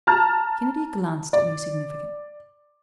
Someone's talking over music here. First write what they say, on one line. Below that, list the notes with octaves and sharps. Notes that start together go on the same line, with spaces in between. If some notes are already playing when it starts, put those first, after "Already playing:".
Kennedy glanced at me significantly.
A5 A#5 F6 A6
D5